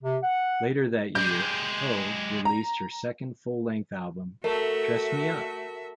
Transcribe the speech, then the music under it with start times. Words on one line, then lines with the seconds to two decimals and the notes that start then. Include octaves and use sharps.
Later that year, Ho released her second full-length album Dress Me Up!
0.03 C3
0.23 F#5
1.15 G#3 G4 G6
2.45 A#5
4.44 A3 F#4 A#4 E5